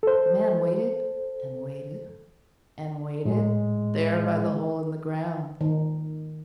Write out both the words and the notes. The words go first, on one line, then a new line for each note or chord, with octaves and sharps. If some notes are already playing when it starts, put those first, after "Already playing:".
The man waited and waited and waited there by the hole in the ground.
A4 C5
A2 G#3
D#3